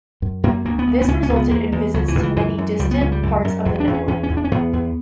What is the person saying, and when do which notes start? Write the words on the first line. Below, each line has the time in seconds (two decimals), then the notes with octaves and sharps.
This resulted in visits to many distant parts of the network.
0.22 F#2
0.43 F#2 A#3
0.65 D2 A#3
0.79 B3
0.86 D2
1.01 B3
1.08 C#2 C#4
1.23 C#4
1.29 C#2
1.36 B3
1.51 E2 A#3
1.72 E2
1.94 C#2 F#3
2.08 E3
2.15 C#2
2.23 E3
2.36 F#2 E3
2.58 F#2
2.79 C#2 G3
2.91 B3
3.01 C#2 C#4
3.12 G3
3.23 F#2
3.44 F#2
3.65 E2 F#3
3.80 D4
3.87 E2
3.94 C#4
4.08 E2 C#4
4.23 C#4
4.30 E2
4.37 D4
4.44 C#4
4.51 E2 B3
4.73 E2